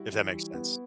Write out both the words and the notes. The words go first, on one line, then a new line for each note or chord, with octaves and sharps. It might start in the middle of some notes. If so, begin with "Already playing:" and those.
if that makes sense.
Already playing: G3 E4 F#4
E3
G3
B3